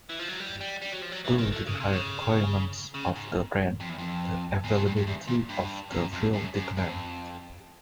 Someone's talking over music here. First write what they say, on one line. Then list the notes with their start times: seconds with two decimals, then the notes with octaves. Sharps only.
Due to the high requirements of the brand, the availability of the fuel declined.
0.10 E3
0.19 F3
0.29 F#3
0.40 G3
0.61 G3
0.82 G3
0.92 F#3
1.02 F3
1.12 F#3
1.25 E3
1.38 D#3
1.52 D3
1.67 C#3
1.80 C3
1.93 C#3
2.94 C#3
3.16 G#2
3.80 F2
3.89 E2
3.98 F2
4.64 E2
4.75 F2
4.86 G2
4.97 G2
5.07 E2
5.27 A#2
5.49 G2
5.92 F#2
6.13 F2
6.34 F#2
6.55 F#2
6.77 F2